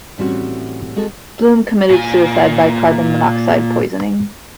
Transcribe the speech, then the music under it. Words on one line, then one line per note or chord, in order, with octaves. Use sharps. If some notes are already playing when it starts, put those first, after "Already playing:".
Bloom committed suicide by carbon monoxide poisoning.
A2 E3 G3 C4 C#4 F#4
G#3 C4 F#4 G#4 A4
A#2 G#5